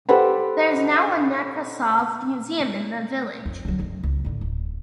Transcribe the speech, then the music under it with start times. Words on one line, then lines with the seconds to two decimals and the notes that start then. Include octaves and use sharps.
There is now a Nekrasov museum in the village.
0.09 G4 A4 C5 F#5 B5
3.46 F2
3.65 D3 F#3
3.79 F#1
4.03 C#2
4.25 A2 D3
4.41 D1